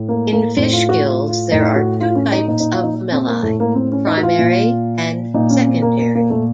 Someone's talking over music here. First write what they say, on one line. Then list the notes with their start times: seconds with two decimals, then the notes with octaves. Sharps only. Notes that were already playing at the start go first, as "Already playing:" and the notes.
In fish gills there are two types of lamellae, primary and secondary.
Already playing: A2
0.09 A#3
0.32 A#3
0.57 A2 C4
0.73 F4
0.89 F#4
1.05 F4
1.28 F4
1.52 A2 D#4
1.76 F#4
2.01 F4
2.15 C#4
2.32 D#4
2.48 A#2 D#4
2.60 D#4
2.72 F4
2.83 D#4
3.12 C4
3.27 A#3
3.43 A2 A3
3.60 A#3
3.75 C4
3.92 C#4
4.07 D#4
4.17 F#4
4.23 F4
4.39 A#2
5.34 A#2 D#4
5.50 C#4
5.67 C4
5.82 A#3
5.99 A#3
6.15 A#3
6.30 A#2 A3